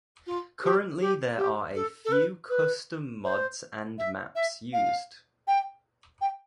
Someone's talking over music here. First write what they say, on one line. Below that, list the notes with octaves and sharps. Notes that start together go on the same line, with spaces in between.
Currently there are a few custom mods and maps used.
F4
G4
G4
G4
A4
A4
B4
B4
C5
E5
E5
F5
G5
G5